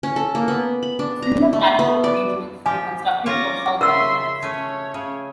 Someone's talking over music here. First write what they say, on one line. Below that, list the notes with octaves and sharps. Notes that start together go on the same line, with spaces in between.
Similar platform arrangements were constructed for southbound tracks.
C#4
A4
A#3
B3
B5
D4
A#5
A3
B3
D5
F3 G4 G#5
C#4 F4 C#5 D6 A#6
C#3 A#4 E5 C6 E6
A3 C#4 C#5
C#3